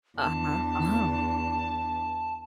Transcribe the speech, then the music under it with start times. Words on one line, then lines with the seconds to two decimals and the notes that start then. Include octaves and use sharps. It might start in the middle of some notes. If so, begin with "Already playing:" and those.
Uh-huh, oh.
0.18 E2 D4 A5